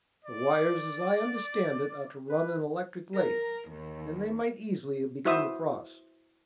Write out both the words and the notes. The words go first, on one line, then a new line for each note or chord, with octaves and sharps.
"The wires, as I understand it, are to run an electric lathe, and they might easily have become crossed."
D5
B4
A#4
D#2
E4 F#4 C5 E5 D#6